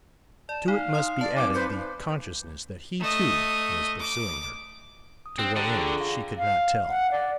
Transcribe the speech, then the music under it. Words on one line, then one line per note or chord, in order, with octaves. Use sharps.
To it must be added the consciousness that he, too, was pursuing her, to what end she could not tell.
D5 A5
D#4 F5
C6 D#6
D5 A5
F#3 C4 D#4 D6
B4 C5 C#7
A3 D#5
D6
D#6
C4 F#6
D3 G4 G5 A#5
F4 G#4 C#6
F5 A#6
F5
F#5
D5